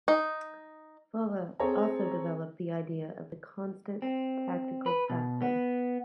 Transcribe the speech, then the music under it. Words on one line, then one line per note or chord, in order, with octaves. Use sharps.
Fuller also developed the idea of the "Constant Tactical Factor".
D#4
C4 G#4 A4 C#5 A#5
C4
B4
B2
B3